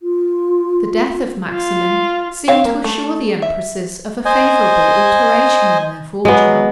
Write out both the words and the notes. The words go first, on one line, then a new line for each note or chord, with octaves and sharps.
The death of Maximin seemed to assure the empresses of a favourable alteration in their fortune.
F4
F4
C4 C#5 F5
A#3
A3
E5
C5 D#5 G#5
F#3 G#3 B3